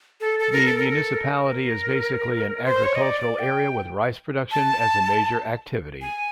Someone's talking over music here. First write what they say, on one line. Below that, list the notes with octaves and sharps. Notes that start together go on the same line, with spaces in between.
The municipality is basically an agricultural area with rice production as a major activity.
A4
A4
A#4
A4
A#4
A4
A#4
C5
C#5
D#5
D5
D5
G5
A5
G#5